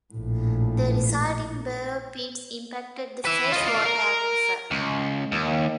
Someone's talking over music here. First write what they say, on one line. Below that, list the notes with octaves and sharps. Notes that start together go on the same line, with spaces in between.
The resulting borrow pits impacted the fresh-water aquifer.
A#1 A2
B4 E5
F4 D#5
D5 F5
A#4
C#2
D#2